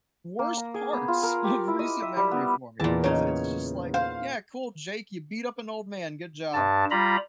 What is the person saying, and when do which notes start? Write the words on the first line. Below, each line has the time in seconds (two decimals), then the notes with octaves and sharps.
worst parts of recent memory for me, because it's just like, "Yeah, cool, Jake, you beat up an old man. Good job."
0.39 A#3
0.57 A#5
0.74 G#4
0.93 B3
1.08 F4
1.23 A#4
1.44 G4
1.68 E4
1.79 D#5
2.02 E5
2.17 G3
2.31 B3
2.80 E2 A#2 E3 A5
3.04 C#3 D#4 C#5
3.94 C5 F5
6.53 G2 A5
6.91 G3 F4 A#5 B5